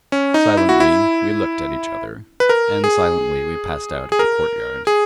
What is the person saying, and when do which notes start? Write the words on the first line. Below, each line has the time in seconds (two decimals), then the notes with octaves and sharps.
Silently we looked at each other, and silently we passed out of the courtyard.
0.12 C#4
0.34 D#4
0.57 E4
0.69 F#4
0.80 E4
2.40 B4
2.49 A#4
2.84 G#4
4.12 G#4
4.19 A#4
4.87 G#4